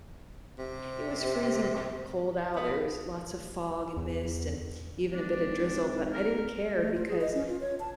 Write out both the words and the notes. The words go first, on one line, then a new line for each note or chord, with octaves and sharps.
it was freezing cold out, there was lots of fog and mist and even a bit of drizzle, but I didn't care because
C3
B3
E2
G#1 D4
A#4
A3
F4
G#4
D#5
C#4
F4
C#5
A5